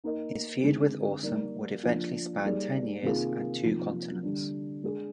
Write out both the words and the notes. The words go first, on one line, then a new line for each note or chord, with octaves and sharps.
His feud with Awesome would eventually span ten years and two continents.
A#3 D#4 A#4 D#5
D3 G#3 C4 D#4
G3 A#3 D#4 A#4 D5
F3 A#3 D4
G3 A#3 D#4 G#4 D5
C3 D#3 A#3 F4 G#4
C3 F3 A#3 D#4
D3 G3 D4
G#3 D4 G#4